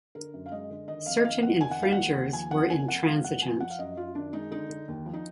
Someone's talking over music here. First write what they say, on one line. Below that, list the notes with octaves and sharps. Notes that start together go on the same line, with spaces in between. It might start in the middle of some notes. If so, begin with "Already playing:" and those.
Certain infringers were intransigent.
D3 A#4
F#2
F5
G#3 D#5
D3
D#3 D#5
F2 F5
D#5
D#3 F5
F2 F#5
D#3 G#5
F#5
D#2 F5
F#5
D#2
D#2
F3 G#5
F2 F#5
A#3 G#5
F2 F#5
G#3 F5
F#2 F#5
F3 G#5
F3 F#5
F5
F#2 D#5
F#2 F4
D#3 D4
G#3 D#4
D3 D#4
D3
D#2
F3
D#4